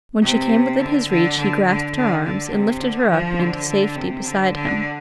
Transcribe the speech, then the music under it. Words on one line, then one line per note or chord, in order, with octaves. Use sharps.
When she came within his reach he grasped her arms and lifted her up into safety beside him.
C3
D3
D3
D3
D3
D3
D3
C3
D3
F3
D3
D3
C3
D3
D3